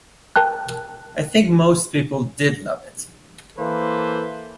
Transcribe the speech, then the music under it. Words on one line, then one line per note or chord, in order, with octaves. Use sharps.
I think most people did love it.
A#4 G5 A5 F#6
E3 A#3 A4 B4 C5